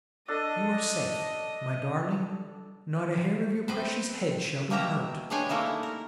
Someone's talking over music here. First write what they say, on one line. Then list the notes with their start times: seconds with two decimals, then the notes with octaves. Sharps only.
'You are safe, my darling; not a hair of your precious head shall be hurt.
0.28 D4 A4 D#5
3.68 C4 B4 C5
4.70 B2 A#3 G4 A#4 E5 A#5
5.30 G#3 D4 B4 C#5 G5 G#5
5.49 G3 A3 A#3 D#4 E4
5.83 A#4